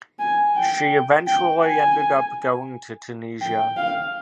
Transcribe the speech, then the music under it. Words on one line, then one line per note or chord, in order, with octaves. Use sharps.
She eventually ended up going to Tunisia.
G#5
G5
G5
G#5
G5
F5